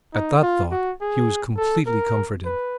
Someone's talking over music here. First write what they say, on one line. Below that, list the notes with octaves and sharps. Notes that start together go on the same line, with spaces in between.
At that thought he was completely comforted.
D#4
F4
F#4
G#4
A4
A#4
B4